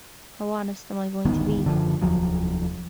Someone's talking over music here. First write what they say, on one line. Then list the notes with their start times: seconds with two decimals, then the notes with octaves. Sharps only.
How honest am I going to be?
1.25 D1 G1 D#3 B3
1.65 F#1 D3 F3
2.02 F1 D#2 F3 F#3